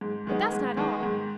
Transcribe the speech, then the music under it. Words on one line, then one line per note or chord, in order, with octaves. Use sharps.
But that's not all.
G#2
D#3 G#3 B3
G#2
D#3 G#3 B3
G#2